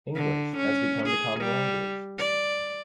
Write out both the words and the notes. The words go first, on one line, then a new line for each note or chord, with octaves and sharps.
English has become the common language.
D3
C#4
G#4
G3
D5